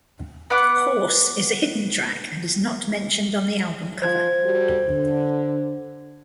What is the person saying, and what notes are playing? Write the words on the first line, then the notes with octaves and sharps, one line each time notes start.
"Horse" is a hidden track and is not mentioned on the album cover.
B3 F#5 D6
F3 C5 G#6
G3 F#4 A4
D3